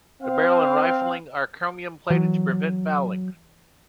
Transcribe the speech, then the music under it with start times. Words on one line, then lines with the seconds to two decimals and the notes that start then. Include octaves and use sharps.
The barrel and rifling are chromium-plated to prevent fouling.
0.22 C4 F5
2.10 E3 F#3